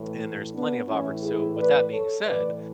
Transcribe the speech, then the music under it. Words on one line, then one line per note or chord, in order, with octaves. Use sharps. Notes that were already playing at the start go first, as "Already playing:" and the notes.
And there's plenty of opport so, with that being said,
Already playing: A2 E3
B3 D4
A2 E3 C#4 E4
E4 G#4
B4 D5
A4 C#5
A2 E3 B4 D5